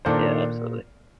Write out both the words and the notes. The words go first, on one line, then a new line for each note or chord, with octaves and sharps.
Yeah, absolutely.
A#2 D#3 A#3 D4 A4 C5